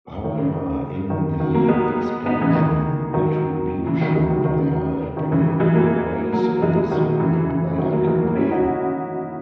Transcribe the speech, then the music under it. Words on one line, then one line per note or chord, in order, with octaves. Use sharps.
However, in the expansion "Retribution", they are a playable race in the single-player Campaign.
D#3
C#3
D#3
D#3 F#3
F#3 A#3
G#3 B3
B3 D#4
C#3 E3
D#3
D#3 F#3
C#3 E3
D#3 F#3
E3 G#3
D#3 F#3
D#3
C#3
D#3
C#3 E3
E3 G#3
F#3 A#3
F#3 A#3
E3 G#3
E3 G#3
D#3 F#3
C#3 E3
C#3 E3
D#3 F#3
F#3 A#3
E3 G#3
F#3 A#3
C#4 E4
D#4 F#4